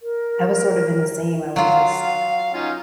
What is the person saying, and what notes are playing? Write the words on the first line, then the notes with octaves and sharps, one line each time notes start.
I was sort of in the same, I was just
A#4
F#3 F4 F5 F#5
C#4 D#4 F4